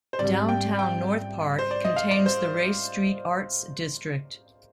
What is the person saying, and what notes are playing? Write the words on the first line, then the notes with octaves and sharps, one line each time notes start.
Downtown North Park contains the Ray Street Arts District.
C5
G#2 G3 C4 G4 D5
G5
G5
C5
D5
D#5
F5
D5
C5